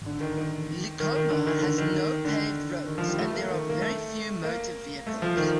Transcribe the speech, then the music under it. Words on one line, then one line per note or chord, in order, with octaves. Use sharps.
Likoma has no paved roads, and there are very few motor vehicles.
D3
D#3
D#3
D#3
D#3
D3
D#3
D3
D#3
D3
D#3
F3
G3
A3
A#3
D#3
A#3
A3
A#3
A3
F3
D#3